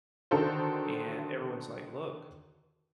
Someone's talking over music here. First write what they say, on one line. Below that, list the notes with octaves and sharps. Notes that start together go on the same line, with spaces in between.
and everyone's like, "Look,
D3 D#3 F#4 A4 A#4 C5